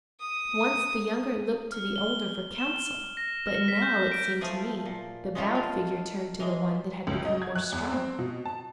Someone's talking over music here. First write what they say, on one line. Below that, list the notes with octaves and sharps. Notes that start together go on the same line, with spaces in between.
Once the younger looked to the older for counsel, but now it seemed to me the bowed figure turned to the one that had become more strong.
D#6
F6
G7
E7
A#6
F6
B6
G6
D7
F3 A3 G#4 B4
A#2
G#3 A3 C#4 E4 F4 A4
F5
E3 G#3
C#2
D#5
G#6
F#6
E2
C4
B2
A5